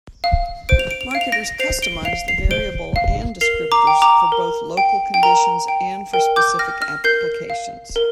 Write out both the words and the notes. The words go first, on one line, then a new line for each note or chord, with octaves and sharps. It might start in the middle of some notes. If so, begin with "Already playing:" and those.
Marketers customize the variable and descriptors for both local conditions and for specific applications.
F5
C5 D7
F7
D7
F7
F5 D7
F7
A#6 D7
C5 C7 F7
D7 G7
F5 C7 F7
C7 F7
C5 D7 G7
F5
A#4 C7 F7
A#5 D6
G5
A#5 D6
A#4
G5
G5
A#4 A#5
G5
A#4 G5
D6 G6
G5 F6 A#6
F6 A#6
A#4 G6 C7
F5
A#4